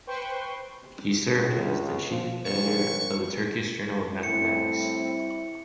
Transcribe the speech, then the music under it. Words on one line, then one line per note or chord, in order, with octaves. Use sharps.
He served as the Chief Editor of the Turkish Journal of Mathematics.
B4 C5 G5 C6 C#6
C#2
F3
A#1 C#6
A2 G3 C4 E4 C#7